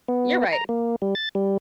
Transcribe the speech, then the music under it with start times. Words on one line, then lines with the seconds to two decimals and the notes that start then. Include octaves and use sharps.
you're right.
0.08 B3
0.53 A#5
0.69 A#3
1.02 G3
1.15 A6
1.35 G3